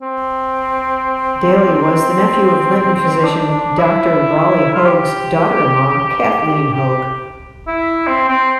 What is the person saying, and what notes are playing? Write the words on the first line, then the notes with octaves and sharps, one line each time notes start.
Daly was the nephew of Linton physician Doctor Rolly Hogue's daughter-in-law Kathleen Hogue.
C4
D4
D4
E4
F4
G4
G4
G4
E4
C4
C4